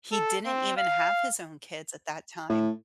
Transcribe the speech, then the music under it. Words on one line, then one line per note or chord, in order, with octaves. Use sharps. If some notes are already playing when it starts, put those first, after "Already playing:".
He didn't even have his own kids at that time.
A4
C4
F5
A2